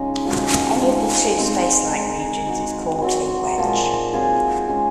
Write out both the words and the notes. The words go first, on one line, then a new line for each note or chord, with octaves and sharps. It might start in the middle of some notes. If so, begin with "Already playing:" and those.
Any of the two spacelike regions is called a wedge.
Already playing: C#3 G#3 C#4 D#4 F4
F3 G#3 C#4 F#4
F3 G#3 D#4
G#3 C4 D#4
G#3 D#4 G#4
G#3 D#4 F#4
F#3 C4 F#4
A#2 F3 G#3
F#3 C4 F4 G#4
G#3 C#4 G#4